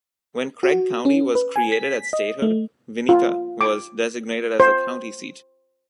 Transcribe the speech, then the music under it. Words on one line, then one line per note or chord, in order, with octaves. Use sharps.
When Craig County was created at statehood, Vinita was designated as the county seat.
F#4
C#4
B4
G#5
B6
D#5
A3
F4
D6
C5